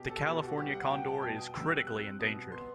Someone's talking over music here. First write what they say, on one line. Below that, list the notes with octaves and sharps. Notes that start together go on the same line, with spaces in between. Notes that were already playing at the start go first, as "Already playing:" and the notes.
The California condor is critically endangered.
Already playing: B2 G4
A4
B2 G4
F#4
G3 G4
F#5
B2 G5
A5
B2 G5
D#6
G3 E6
F#6
C4 F#6
B2 D#6
B3 C6